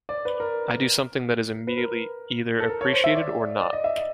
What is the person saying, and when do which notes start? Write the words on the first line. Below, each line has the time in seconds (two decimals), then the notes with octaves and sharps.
I do something that is immediately either appreciated or not.
0.09 D5
0.25 B4
0.40 A#4
1.67 B4
1.77 A#4
2.60 A4
2.69 A#4
2.81 C#5
2.93 C5
3.04 E5
3.15 D5
3.61 D5
3.73 D#5
3.84 E5
3.96 D#5